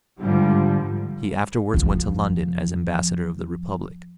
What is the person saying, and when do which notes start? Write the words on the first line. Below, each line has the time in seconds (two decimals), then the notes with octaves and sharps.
He afterwards went to London as ambassador of the Republic.
0.20 G#2 D3 F3 G3
1.74 F2 F3